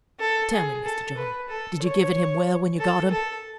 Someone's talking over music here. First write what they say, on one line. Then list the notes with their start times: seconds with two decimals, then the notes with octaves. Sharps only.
Tell me, Mr. John, did you give it him well when you got him?
0.19 A4
0.53 G#4
0.85 A4
1.17 B4
1.49 A4
1.83 C#5
2.79 A4
3.11 A4